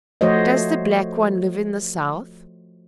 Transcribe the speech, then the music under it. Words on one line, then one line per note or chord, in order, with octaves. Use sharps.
Does the Black One live in the south?
F3 A3 F#4 C5 C#5 D#5